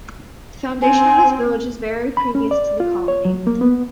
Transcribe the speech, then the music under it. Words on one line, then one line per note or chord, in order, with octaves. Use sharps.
The foundation of this village is very previous to the colony.
C4 G#5
B5
C#4
D5
F4
C#5
F#3
A#3
B3